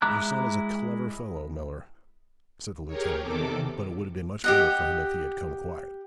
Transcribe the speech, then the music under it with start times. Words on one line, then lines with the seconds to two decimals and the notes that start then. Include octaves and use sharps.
'Your son is a clever fellow, miller,' said the lieutenant; 'but it would have been much better for him if he had come quiet.'
0.02 G#3 E4 A#5 D6 F#6
2.88 G4 G#4 A#4 C#5
3.21 E2 C3 D#3 A4 D6
4.44 G4 D#5 F#5